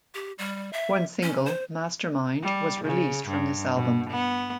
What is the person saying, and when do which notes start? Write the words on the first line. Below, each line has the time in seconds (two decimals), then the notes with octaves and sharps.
One single, "Mastermind" was released from this album.
0.15 G4
0.39 G3
0.73 E5
1.23 C#4
1.46 C5
2.42 G3
2.84 C#3
3.28 G2
3.75 B2
4.10 B3